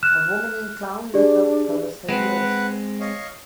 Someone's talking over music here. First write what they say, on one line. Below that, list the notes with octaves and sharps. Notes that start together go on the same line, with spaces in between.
A woman in clown makeup covers her ears.
F6 F#6 E7
D4 G4 G#4 D5
G#3 C4 B4 F#5
C#5 D#5 F5